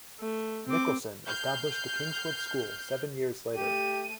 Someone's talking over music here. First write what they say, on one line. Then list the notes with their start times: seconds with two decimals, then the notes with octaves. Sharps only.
Nicholson established the Kingswood School seven years later.
0.20 A3
0.67 C4 D6
1.25 F6 G6 C7
3.56 A3 G4 D#7